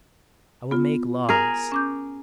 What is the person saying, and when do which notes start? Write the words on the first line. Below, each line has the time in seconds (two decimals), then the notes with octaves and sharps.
I will make laws.
0.71 B3 F4
1.29 G#4 A#4
1.72 C#4 D6 G6